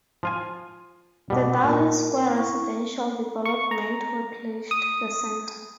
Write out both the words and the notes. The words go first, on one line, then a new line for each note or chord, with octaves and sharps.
The Darling Square residential development replaced the Centre.
F3 F4 G#5
B2 G3 F#5 D6
A#2 A#4
E4 C#6
C#6
A#5
D#6